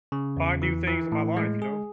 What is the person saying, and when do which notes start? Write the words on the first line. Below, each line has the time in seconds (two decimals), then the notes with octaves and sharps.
find new things in my life, you know?
0.12 C#3
0.37 E2
0.62 E3
0.87 E3
1.12 A2
1.37 G#3
1.62 G#4